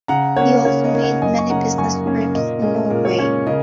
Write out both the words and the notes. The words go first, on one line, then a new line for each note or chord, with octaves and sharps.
He also made many business trips in Norway.
C#3 F#5 A#5
A#3 C#4 C#5 F#5
C#3 C#5
A#4 D#5
A#3 C#4
C#5 F#5
F#2 D#5 G#5
C#6
C#3 A#3 C#4 F#5 A#5
F#2 G#5 C#6
C#3 A#3 C#4
A#2 A#4 D#5
G#3 C#4 A#4 D#5
A#2 A#4
C#5
G#3 C#4 C#5
C#3 A#4 D#5